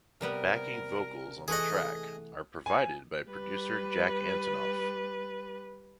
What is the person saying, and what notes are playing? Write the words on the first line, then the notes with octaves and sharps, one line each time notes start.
Backing vocals on the track are provided by producer Jack Antonoff.
C3 G3 B3 A#4
E3 A3 G#4 D#5 F#5
G#5
G3 B4